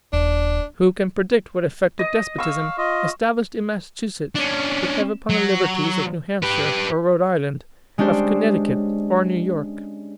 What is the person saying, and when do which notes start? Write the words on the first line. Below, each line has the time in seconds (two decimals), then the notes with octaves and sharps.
Who can predict what effect a despotism, established in Massachusetts, would have upon the liberties of New Hampshire or Rhode Island, of Connecticut or New York?
0.13 D#1 D4
1.99 D#5
2.38 F5 C#6 E6
2.78 F4 D#5
4.35 C#4 D4
5.30 F#3
6.43 G4 B4
7.98 G#3 C#4 D4 G4 C5